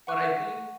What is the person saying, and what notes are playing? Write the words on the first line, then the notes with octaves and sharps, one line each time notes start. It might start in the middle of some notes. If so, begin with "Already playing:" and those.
But I think
F#5 C#6 F#6